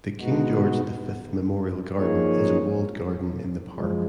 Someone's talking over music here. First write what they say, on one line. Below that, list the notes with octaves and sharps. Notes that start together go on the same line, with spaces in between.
The King George the Fifth Memorial Garden is a walled garden in the park.
B2 G#3 B3 D#4 F#4
F3 A#3 D#4 G#4 C#5
F#2 F3 G#3